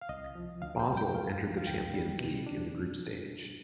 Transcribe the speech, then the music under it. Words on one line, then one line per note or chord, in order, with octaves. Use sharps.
Basel entered the Champions League in the group stage.
F5
C2 D#5
F3
D2 F5
G5
G3
G5
F2 F5
F3
F5
D2 G5
G3
B2
D4